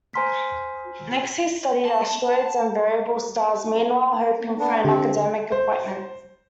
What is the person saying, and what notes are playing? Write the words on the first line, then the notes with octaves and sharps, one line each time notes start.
Next he studied asteroids and variable stars, meanwhile hoping for an academic appointment.
C5 G#5 A#5 C6 F6 B6
A5
B3 D4
D3 C4 G4
C5